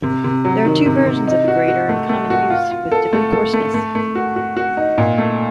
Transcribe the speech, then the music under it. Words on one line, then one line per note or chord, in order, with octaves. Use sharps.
There are two versions of the grater in common use with different coarseness.
C3
C3
F#3
D#3
C3
C3
D#4
F#4
F#4
A3
A3
F#4
F4
F4
A4
A3
A4
A3
A3
A3
F#4
F#4
F#4
D#4
A#2
A3